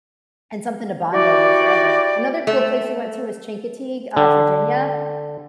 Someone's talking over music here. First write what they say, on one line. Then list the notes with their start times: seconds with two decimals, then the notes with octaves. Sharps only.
And something to bond over forever. Another cool place we went to was Chincoteague, uh, Virginia,
1.13 E4 F#4 G4 D5
2.47 A3
4.17 D3